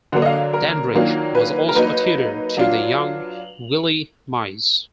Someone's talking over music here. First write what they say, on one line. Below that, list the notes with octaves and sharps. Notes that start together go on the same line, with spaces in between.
Dandridge was also a tutor to the young Willie Mays.
D3 F#3 A#3 D4 F#5
D#5
F5
A#4
D#3 F#3 A#3 D4 F4
B4
A#4
F#3 A#3 D#4 B4
F#3 D4 F4